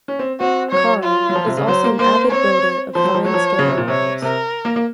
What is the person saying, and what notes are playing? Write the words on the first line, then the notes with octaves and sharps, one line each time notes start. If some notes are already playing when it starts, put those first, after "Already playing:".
Karl is also an avid builder of fine scale models.
C#4
C4
C4 F#4
F#3 C#5
F4
F#3
F3
C3
C#3
F#3 C5
A#3
A#3 C5
C4 C#5
F3 C5
F#3
F3
F#3 C#5
F3
C#3
C3
A#2
C3 C#5
C3 A#4
A#3
A#3